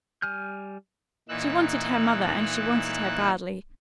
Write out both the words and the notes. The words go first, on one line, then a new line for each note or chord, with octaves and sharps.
She wanted her mother and she wanted her badly.
G3 G#5 F6 G6
A#2 E3 D#4 E6 F#6